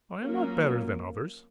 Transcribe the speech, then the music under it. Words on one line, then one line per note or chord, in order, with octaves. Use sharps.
I am not better than others.
F#3 A#3 C#4 F4 A#4